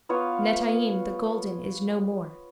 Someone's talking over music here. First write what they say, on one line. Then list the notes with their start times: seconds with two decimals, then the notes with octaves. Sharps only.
Netaim, the golden, is no more.
0.09 B3 F4 C#5 F5